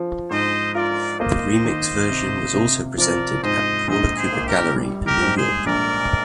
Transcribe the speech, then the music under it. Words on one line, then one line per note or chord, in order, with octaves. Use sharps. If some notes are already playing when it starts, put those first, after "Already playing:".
The remix version was also presented at Paula Cooper Gallery in New York.
Already playing: F3
G#2 C5 D#5
F4 A#4 D5
A#3 C5 D#5
D#3
C3
C3
F3 A#4 D5
G#2 C5 D#5
A#1 C5 D#5
G#4 C5
A#3
G4 A#4
G3
G4 A#4
G#2
G#4 C5
A#1 A#4 D5